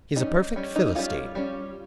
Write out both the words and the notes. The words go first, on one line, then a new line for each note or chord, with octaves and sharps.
"He's a perfect philistine."
G3 C#4 D#4
G3 C#4
D#4
G3 C#4 F4
G3 C#4